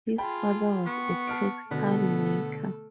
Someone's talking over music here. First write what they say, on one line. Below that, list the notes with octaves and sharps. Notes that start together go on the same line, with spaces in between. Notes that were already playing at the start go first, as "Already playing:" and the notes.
His father was a textile maker.
F4 G#4 G5 A5 B5
B3 C#6
A5 F6 D7
B2 D3 A3 B3 A4